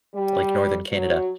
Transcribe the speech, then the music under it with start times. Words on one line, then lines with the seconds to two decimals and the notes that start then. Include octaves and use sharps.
like, Northern Canada,
0.14 G3
0.92 F#3